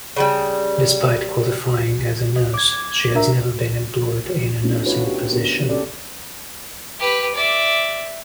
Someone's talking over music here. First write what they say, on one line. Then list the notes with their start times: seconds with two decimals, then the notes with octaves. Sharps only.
Despite qualifying as a nurse, she has never been employed in a nursing position.
0.16 C#3 F#3 G3
2.36 D#5
2.54 D6 G#6
3.15 D4 A#4 E5 A#5
4.63 A3 B3 C#4 D4 E4 F#4
4.85 D4 D#4 F4 F#4 B4 C#5
5.02 G4 C#5
5.32 D3 B3 A#4
5.69 C4 C#4 G4 A4 D5
6.99 G4 B4
7.35 D5 E5